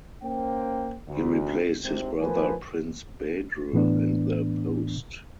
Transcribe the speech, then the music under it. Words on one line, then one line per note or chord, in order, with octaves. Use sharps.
He replaced his brother Prince Badr in the post.
A#3 C#4 C5 G5
D2
G#1 C3
F3 A3 A#4 B4 G#5
A2 E3 B3 D4